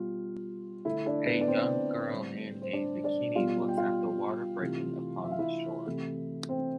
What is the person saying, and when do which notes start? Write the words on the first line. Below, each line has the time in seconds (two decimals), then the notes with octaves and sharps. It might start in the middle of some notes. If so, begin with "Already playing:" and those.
A young girl in a bikini looks at the water breaking upon the shore.
Already playing: B2 G3 F4
0.85 D3 A3 E4 E5
1.06 D4 D5
1.26 B3 B4
1.41 D5
1.48 C4 C5
2.11 A2 G3
2.62 C5
2.73 D4 D5
3.04 D4 D5
3.36 B2 G3 F4 F5
3.69 G5
3.77 F4 F5
4.61 C3 E3 A3
5.24 E5
5.31 F5
5.39 E4 E5
5.86 C3 E3 A3
6.49 C4 C5